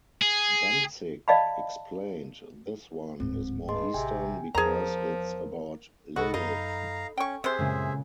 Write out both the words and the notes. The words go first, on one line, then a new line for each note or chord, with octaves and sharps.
Danzig explained This one is more Eastern, because it's about Lilith.
G#4
D5 D#5 F5 A5 B5
D1 G#2 C4
G2 G#4 D#5 C6
A1 C3 G5 G#5
E2 F3 G#4 A#4 A#5
C2 F#4 A4 D#5 F#5 B5 A6
F#2 D#4 F5 A#5
C#4 G5 C#6
C3 C4 G#4 C5 E5
F#2 A#2 C#3 G#3